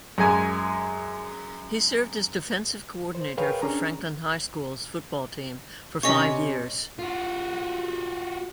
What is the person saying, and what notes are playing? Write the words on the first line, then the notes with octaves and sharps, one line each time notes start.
He served as defensive coordinator for Franklin High School's football team for five years.
F#2 G#3 G#5
C5
G#4 A#4 B4 C#5 F5 G5
C#4 D4 G#4 A#5
C3 C#4 D#5 C#6
F4 F#4